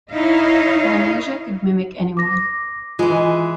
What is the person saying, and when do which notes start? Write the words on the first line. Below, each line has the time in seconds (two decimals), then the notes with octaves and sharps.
Polynesia could mimic any one.
0.11 D#4 E4 C#5 D#5 F5
2.17 D6 A#6
2.99 E3 G#3 F4